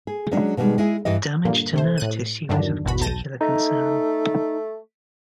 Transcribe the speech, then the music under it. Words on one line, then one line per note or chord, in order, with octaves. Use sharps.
Damage to nerve tissue is of particular concern.
G#4
F#3 G#3 C#4 D4
B2 D3 D#3 G3 G#3
G#3 E4 G#4
G2 E3 G4 D#5
G2 A#2 D3 A#3
C3 A3 C5
A2 F#6 D#7
E2 G2 D3 D#3 F#3 D4
G#1 E2 B2 F#4 B5
B1 A5 G6 A6 A#6 D#7
A3 D#4